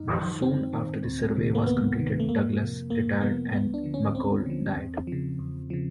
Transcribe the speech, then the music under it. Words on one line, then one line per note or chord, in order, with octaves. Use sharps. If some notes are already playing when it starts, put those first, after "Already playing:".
Soon after the survey was completed Douglas retired and McColl died.
Already playing: F#2 D#4
D#3
F#2 C4
D#3
D2
C3 D#3
A#3
D2 B3
C3 D#3
A3
F2 A#3
C3 F3
F2 A#3
C3 F3 B3
D2 B3
D4
D3 F3
C#4
D2 C4
D3 F3
E2
C#3 F3
E2
C#3 F3